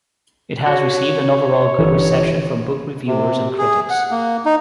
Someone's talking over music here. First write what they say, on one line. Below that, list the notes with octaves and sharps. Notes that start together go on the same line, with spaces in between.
It has received an overall good reception from book reviewers and critics.
F#4 C#5
G1 E3
C3
G#4
F#5
A#3
D#4